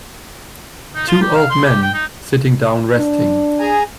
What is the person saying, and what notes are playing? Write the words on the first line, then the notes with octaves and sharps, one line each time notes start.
Two old men sitting down resting.
D#4
F4
G4
F5
C6
G4
G5
D#4
D4
G#4 G#5 A#5